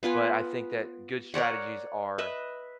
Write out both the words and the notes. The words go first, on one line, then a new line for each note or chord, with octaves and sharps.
but I think that good strategies are,
B3 F4 B4 G#5
A#4 C#5 D5 F#5
B4 D#5 E5